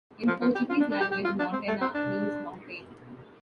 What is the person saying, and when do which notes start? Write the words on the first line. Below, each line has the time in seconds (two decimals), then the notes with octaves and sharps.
In the Portuguese language, "montanha" means "mountain".
0.28 F3
0.41 F3
0.55 G4
0.70 F4
0.80 D4
0.91 D4
1.01 G4
1.12 G4
1.25 F4
1.39 D4
1.53 C4
1.68 A3
1.81 C4
1.95 D4